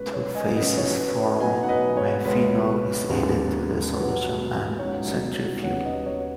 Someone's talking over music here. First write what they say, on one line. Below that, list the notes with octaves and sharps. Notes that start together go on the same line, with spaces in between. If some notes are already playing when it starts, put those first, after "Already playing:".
Two "phases" form when phenol is added to the solution and centrifuged.
Already playing: B2 G#3 C#4 B4 C#5
C#5
D#5 G#5
F#2 F#3 C#4 B4 D#5
C#5
B4
C#5
B2 F#3 B3 D#4 D#5 G#5
F#5
B4 D#5
C#5
C#2 B2 G#3 C#4 B4
D#2 C#3 G#3 B3
B2 F#3 B3
C#2 B2 F#3 D#4 C#5
D#2 C#3 F#3 B3 D#4 C#5 F#5
B4 D#5
C#5